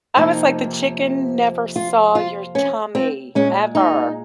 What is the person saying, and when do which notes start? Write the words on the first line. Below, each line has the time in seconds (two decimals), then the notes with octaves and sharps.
I was like, the chicken never saw your tummy ever.
0.15 F2 C3 F3 A#3 D#4
1.76 F4
2.15 F4
2.55 C#4
2.95 C4
3.35 A#2 G#3 C#4
3.75 D#4